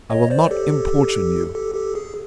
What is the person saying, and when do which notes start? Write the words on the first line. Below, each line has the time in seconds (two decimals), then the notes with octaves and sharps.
I will not importune you.
0.10 C#5 D#5
0.30 C5 D5
0.51 G4 A4
1.55 G4 A4
1.74 G4 A4
1.95 G#4